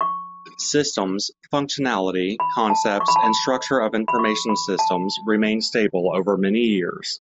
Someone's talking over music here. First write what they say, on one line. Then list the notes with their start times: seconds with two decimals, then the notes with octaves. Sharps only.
Systems, functionality, concepts and structure of information systems remain stable over many years.
0.01 C#6
2.40 B5
2.70 A5
3.00 C#6
3.08 B5
3.16 A5
3.23 B5
4.08 B5
4.19 C#6
4.49 B5
4.79 A5